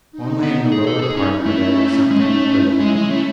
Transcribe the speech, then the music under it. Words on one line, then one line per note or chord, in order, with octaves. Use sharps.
Only in the lower part of it something quivered.
D#4
B3 D#4
G#4
A4
D#4 G#4
C#4
C#4 E4
A3
D#4
C#4
G#3
A3 D#4
C#4 E4
G#3
G#3
A3